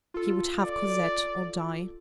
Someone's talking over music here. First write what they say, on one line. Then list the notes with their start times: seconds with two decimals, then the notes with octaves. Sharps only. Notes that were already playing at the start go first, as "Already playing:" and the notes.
He would have Cosette or die.
0.14 F4 A4
0.61 D5